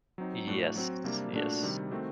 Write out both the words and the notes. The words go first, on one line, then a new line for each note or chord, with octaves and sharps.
Yes, yes.
F#3 C4 D#4
A2 A3 D4 F#4
F#3 C4 F#4
C3 G3 A#3 D4
A#2 A3 D4 F#4
C3 D#3 G3
D#3 A3 C4 F#4